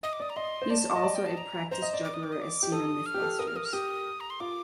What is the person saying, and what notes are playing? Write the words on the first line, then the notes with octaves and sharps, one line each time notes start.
He is also a practiced juggler as seen on "MythBusters".
D#5 D#6
D6
D5 D#6
A#5
D#5 C6
C5
D5 A5
D#5
D5
G5
A5
A#5
C5 A#5
D#5
D5
D6
D#6
D6
D#6
D6
G4
A4 D#6
F6
G4
A4
A#4 D#6
F6
A#4 D#6
F6
G4 D#6
A#5
C6
F4 D6